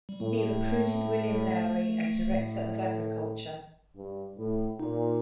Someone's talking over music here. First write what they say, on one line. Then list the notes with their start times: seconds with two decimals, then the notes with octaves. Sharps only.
He recruited William Lowrie as director of agriculture.
0.09 G3
0.20 A2 A3
2.29 A2
3.95 G2
4.37 A2
4.79 A#2 D#4